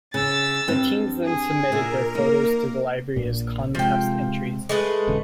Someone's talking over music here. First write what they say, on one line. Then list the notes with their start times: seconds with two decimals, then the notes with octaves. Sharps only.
The teens then submitted their photos to the library as contest entries.
0.14 C#3 E6 A6
0.68 G2 C4
1.24 G#4
1.72 A#2 A#4 E5
2.15 A#3 D#4
3.16 A#1 A#2
3.75 C3 F3 G#3 G5
4.69 G#3 A3 B4
5.08 D#1 D#2 C#3